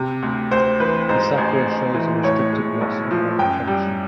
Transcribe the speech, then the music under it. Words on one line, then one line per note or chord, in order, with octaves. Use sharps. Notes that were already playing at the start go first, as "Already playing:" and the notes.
The sufferer shows a restrictive loss of lung function.
Already playing: C3
D2
D2 C5
E3 B4
G#2 C5
A1
A1
E3
A2 C#5
G#3
B1
F3
F#2 G5
G3